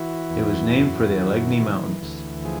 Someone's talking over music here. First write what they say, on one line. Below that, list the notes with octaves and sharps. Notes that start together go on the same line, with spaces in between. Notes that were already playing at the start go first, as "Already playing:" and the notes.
It was named for the Allegheny Mountains.
Already playing: E3 E4 F#4
E2
F#2
D#3
E3
D2
F3 G#4